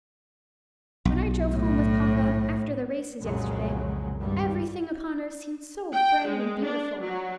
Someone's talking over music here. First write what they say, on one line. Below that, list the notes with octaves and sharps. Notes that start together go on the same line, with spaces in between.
When I drove home with papa, after the races yesterday, everything upon earth seemed so bright and beautiful.
B1
A2
C2 F2 A#2 C#3 F#3 G#3
G#1 G2 G3
G5
G#3
D4
F#3